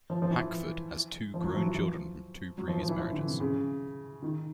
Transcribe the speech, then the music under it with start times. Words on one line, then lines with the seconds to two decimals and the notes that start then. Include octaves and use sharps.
Hackford has two grown children from two previous marriages.
0.10 F3
0.22 F3
0.31 E3
1.34 F3
1.44 F#3
1.54 F3
1.65 E3
1.75 F3
2.58 F#3
2.68 F3
2.78 F3
2.89 E3
2.99 F3
3.13 D3
3.27 C3
3.40 C#3
4.22 D#3